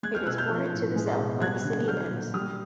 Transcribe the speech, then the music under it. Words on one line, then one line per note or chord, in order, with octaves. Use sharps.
It is bordered to the south by the city of Ennis.
G#3 F#6 G#6
F6 G6
B2 E6 F#6
F6 G6
F3
A2
G#3
B2
G3 F#6 G#6
D3
F#3 F6 G6
A#2
G3 D#6 F6